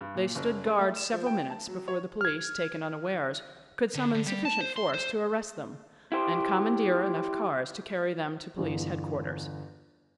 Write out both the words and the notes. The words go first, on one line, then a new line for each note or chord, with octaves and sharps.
They stood guard several minutes before the police, taken unawares, could summon sufficient force to arrest them, and commandeer enough cars to carry them to police headquarters.
G2
A#2
F#1
G#3
A3
E7
F3
G5
A5
F#3
C#5
F6 G#6
D3
D3
G3
A5
C5
C6
C5
E4 G4 C5
G1 E2